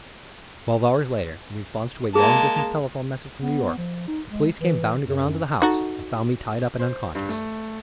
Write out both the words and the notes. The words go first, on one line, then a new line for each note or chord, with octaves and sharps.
Twelve hours later, in response to a long-distance telephone message from New York, the police came bounding around to the house, and found me tied up and unconscious.
G#3 A#3 G#4 A5
B3
F3
D#4
G#3
E3
F#2
D#4 F#4 A4
C5
G2
A3